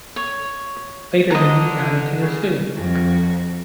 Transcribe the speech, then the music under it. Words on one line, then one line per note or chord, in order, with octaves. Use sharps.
Later they moved down into the city.
C#5
D3 D#5 A#5
C#3
F2 F#4